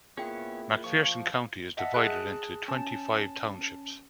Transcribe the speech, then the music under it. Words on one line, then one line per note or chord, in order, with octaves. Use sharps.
McPherson County is divided into twenty-five townships.
A#2 B3 C#4 E4 G#4 G5
F3 C#6
D#5 E5 F#5 A5
G#4 A5 F#6
C#4 A5